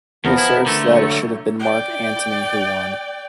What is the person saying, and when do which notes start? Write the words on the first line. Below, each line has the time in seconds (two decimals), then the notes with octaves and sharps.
He asserts that it should have been Mark Antony who won.
0.25 E2 F3 B3 A#4
0.38 E4
0.66 D3 A3
0.84 F#3
1.59 D5 G5